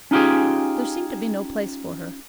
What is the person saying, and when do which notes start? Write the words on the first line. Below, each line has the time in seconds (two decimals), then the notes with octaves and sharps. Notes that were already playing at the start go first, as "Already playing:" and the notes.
There seemed to be no place for her.
0.11 C#4 D#4 F4 G4 G#4